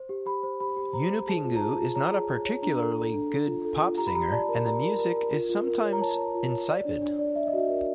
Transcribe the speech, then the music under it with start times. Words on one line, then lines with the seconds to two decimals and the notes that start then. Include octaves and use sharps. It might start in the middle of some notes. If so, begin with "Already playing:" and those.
Yunupingu is not a particularly good pop singer, and the music is sometimes insipid.
Already playing: C5
0.09 G4
0.26 G4 B5
0.43 C5
0.60 G4 B5
0.77 G4
0.93 C5 A#5
1.10 C5
1.27 G#4 A5
1.44 F4
1.56 A#5
1.61 G#4 A5
1.79 F4
1.95 C#5 A#5
2.12 G#4
2.29 G#4
2.46 C#5
2.62 D4 A#5
2.80 A4
2.97 A4
3.14 D4
3.31 A4
3.47 F4
3.65 A4
3.82 F4
3.98 G4 A#5
4.07 B5
4.15 G4 A#5
4.31 D5 A5
4.49 A#4
4.66 G4 A#5
4.82 A#4
4.99 A#4
5.17 A#4
5.33 F4
5.49 F4
5.67 A#4
5.84 C#5
5.93 A#5
6.01 C#5 A5
6.18 C#5
6.35 F4
6.51 C#5
6.69 D5
6.85 D4
7.01 D4
7.19 D5
7.35 D5 E5
7.47 D#5
7.53 F#4 E5
7.69 A#4